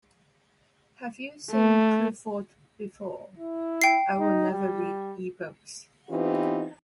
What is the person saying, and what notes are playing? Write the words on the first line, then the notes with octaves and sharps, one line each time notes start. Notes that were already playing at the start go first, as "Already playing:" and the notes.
Have you seen Clifford before? I will never read E-Books.
A3
E4
G5 C7
D#4
G3
E3 B3 C4 D#4 F4 G4